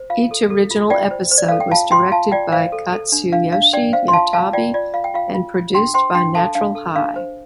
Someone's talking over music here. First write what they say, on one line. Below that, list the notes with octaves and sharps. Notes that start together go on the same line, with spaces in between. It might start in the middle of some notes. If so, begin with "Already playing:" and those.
Each original episode was directed by Katsuyoshi Yatabe and produced by Natural High.
Already playing: C5
F4 F5
A4
A4
F4
F4 D5 G5
C5
C5
D5
A4 F5
G5
F4 F5 A5
F4 G5 C6
F4 F5 A5
F4 D5 G5
C5 F5
A4
A4
D4
D4 F5
D4 F5
D4 D5 G5
C5 F5
C6
F4 F5 A5
F4 F5 A5
F4 D5 G5
F4 D5
F4 F5
G5
F4 F5
F4
F4
D4 G5 C6
C5 G5 C6
D4 G5 C6
A4 F5 A5
D4 F5
A4
D4 F5
C5